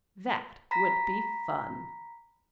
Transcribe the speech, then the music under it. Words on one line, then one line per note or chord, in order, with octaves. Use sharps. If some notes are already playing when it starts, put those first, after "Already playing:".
That would be fun!
A#5 B5 A#6 B6